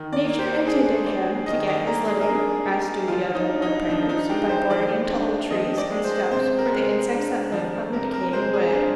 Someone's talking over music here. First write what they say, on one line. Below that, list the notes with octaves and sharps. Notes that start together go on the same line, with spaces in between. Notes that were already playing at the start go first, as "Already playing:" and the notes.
Nature intended him to get his living, as do the other woodpeckers, by boring into old trees and stumps for the insects that live on the decaying wood.
Already playing: D#3
D5
A#3
C5
D4 G#4
G3 D5
D#3 D#5
D5
A#3 A#4
G#4
A#4
D4
G#4
G3
F3 F4
D#4
D4
D#4
F3 D4
D#4
G#3 G4
C5
F3 D5
D4
F3 D#5
D5
G#3
C5
C3 C5
A#4
G#3
D4
F3
C3 A#4
A#4
G#3 C5
G#4
D4